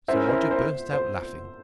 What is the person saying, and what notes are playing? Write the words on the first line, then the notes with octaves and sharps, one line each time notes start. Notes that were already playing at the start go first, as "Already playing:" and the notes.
So Roger burst out laughing.
C#4 E4 A#4 C5 E5
C5
C5
C5